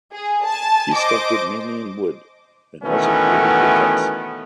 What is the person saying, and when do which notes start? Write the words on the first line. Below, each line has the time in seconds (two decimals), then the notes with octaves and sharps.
He sculpted mainly in wood and also created woodcuts.
0.13 G#4
0.45 G#5 A5
0.95 C5 D#5 D6
2.84 B2 D#3 E3 A3 B3 C#4